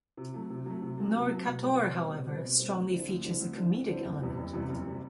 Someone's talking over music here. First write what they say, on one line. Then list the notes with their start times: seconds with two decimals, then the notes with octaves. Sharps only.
Knorkator, however, strongly features a comedic element.
0.17 C3
0.34 F#3 A3
0.50 C3
0.66 F#3 A3
0.82 C3
0.98 F#3 A3
1.14 C3
1.30 F#3 A3
1.47 B2
1.63 G3 C4
1.79 B2
1.95 G3 C4
2.11 B2
2.28 G3 C4
2.44 B2
2.59 G3 C4
2.75 D2
2.92 D3 G3 C4 E4
3.08 D2
3.24 D3 G3 C4 E4
3.40 D2
3.56 D3 G3 C4 E4
3.72 D2
3.89 D3 G3 C4 E4
4.04 F#1
4.21 E2 C3 G3
4.37 F#1
4.53 E2 C3 G3
4.69 F#1
4.87 C3 G3